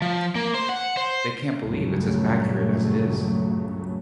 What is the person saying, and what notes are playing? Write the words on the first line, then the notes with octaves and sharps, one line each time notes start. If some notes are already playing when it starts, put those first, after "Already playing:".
They can't believe it's as accurate as it is.
F3
A#3
C5
F#5
C5
C#2 G2 A#2 C#3 F#3 A3